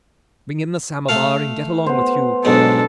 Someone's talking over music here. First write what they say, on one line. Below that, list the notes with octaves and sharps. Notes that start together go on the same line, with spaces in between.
Bring in the samovar, and get along with you.
A3 A4 F5
B3 C5
B1 G#2 G#3 D4 A4